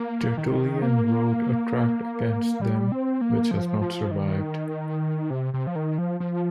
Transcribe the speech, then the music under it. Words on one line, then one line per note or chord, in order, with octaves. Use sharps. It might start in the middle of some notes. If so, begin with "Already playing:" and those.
Tertullian wrote a tract against them which has not survived.
Already playing: A#3
D#3
A#3
G3
C4
A#3
F3
F3
D#3
C3
C3
F3
D#3
F3
F3